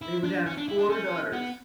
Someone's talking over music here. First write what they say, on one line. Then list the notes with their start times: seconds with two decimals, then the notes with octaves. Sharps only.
They would have four daughters.
0.02 E4
0.24 D4
0.46 C#4
0.57 D4
0.68 E4
0.78 D4
0.89 C#4
1.33 B3